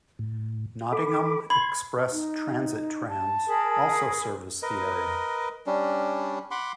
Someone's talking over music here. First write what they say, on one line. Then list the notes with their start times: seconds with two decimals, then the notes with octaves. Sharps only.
Nottingham Express Transit trams also service the area.
0.19 A2
0.92 A4 B5 D6
1.50 B5 C6 G#6
2.12 D#4
3.09 A5
3.46 G#4 A#4 B5
4.62 A#4 B4 D#5
5.66 G3 C#4 D4
6.51 F#5 B5 C6 D6